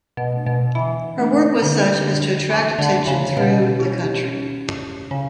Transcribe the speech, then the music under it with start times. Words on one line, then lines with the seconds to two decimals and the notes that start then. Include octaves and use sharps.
Her work was such as to attract attention through the country.
0.17 B2
0.31 A3 D4
0.46 B2
0.75 D3 E3
1.18 A3 D4
1.62 D3
2.07 A3 D4
2.50 D3 E3
2.79 D3
2.94 A3 D4
3.07 C#3
3.37 B2 C#4
3.79 E4 G4 C#5
4.23 C#4
4.67 E4 G4 C#5
5.10 C#3 C#4